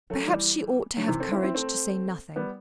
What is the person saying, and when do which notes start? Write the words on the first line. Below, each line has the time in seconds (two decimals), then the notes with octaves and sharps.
Perhaps she ought to have courage to say nothing.
0.10 F#3 A3
0.27 E3 G3
0.97 D3 F#3
1.08 C3 E3
1.20 A3 C4
1.32 C4 E4
1.43 C4 E4
1.55 A3 C4
2.36 G3 B3